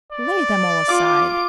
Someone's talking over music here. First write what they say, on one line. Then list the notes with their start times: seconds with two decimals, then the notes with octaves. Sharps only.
Lay them all aside.
0.12 D5
0.89 F4 D6